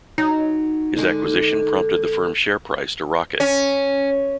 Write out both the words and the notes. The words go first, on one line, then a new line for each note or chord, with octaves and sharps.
His acquisition prompted the firm's share price to rocket.
F#3 D#4
D3 G#3
C#4